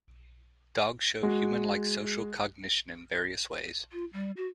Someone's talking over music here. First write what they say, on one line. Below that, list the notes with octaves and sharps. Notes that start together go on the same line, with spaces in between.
Dogs show human-like social cognition in various ways.
G#3 F#4
F4
G3
F#4